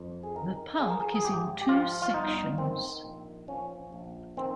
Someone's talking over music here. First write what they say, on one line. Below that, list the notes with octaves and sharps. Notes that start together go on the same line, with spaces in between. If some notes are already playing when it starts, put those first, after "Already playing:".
The park is in two sections.
Already playing: F2
G#4
D#3 A#4
F3 G#4
A#4
G#4
G#4
G#1 G4
G4
F3 F4
F4
G1 D#4
D#3 C4
A#1
F3 C#4
A#1
D#3 C4